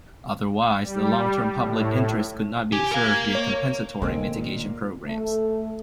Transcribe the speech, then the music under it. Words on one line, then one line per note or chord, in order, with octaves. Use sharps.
Otherwise, the long-term public interest could not be served via compensatory mitigation programs.
G3
A2
G4 G#5
A#4 F5 G#6
C#5
D#3 G#3 A#3 C4
A#2
A3